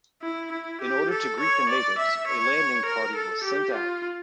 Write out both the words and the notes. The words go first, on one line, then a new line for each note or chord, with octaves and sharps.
In order to greet the natives a landing party was sent out.
E4
E4
G4
A4
C#5
D5
E5
C#5
A#4
A4
G4
F4